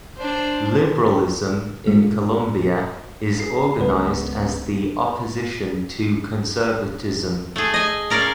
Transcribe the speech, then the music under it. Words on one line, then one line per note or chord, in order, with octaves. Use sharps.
Liberalism in Colombia is organized as the opposition to conservatism.
D4 C5
A#2 G#3
G#4 C7
C#2 B3 B4
A3 G#4
D#5 G#5
C#4 A#4 D5 F5